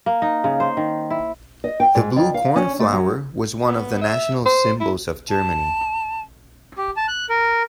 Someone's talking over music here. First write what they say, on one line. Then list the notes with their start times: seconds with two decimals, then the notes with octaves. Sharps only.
The blue cornflower was one of the national symbols of Germany.
0.06 A#3
0.22 D#4
0.44 C#3
0.60 C5
0.77 D#3
1.10 E4
1.64 D#5
1.80 G5
1.95 G#2
2.16 F2
2.34 F5
2.56 C#4
2.79 A3
2.93 F#3
3.66 B3
4.01 E5
4.46 C5
4.80 E4
5.30 A5
6.78 G4
6.97 A5
7.08 F#6
7.29 A#4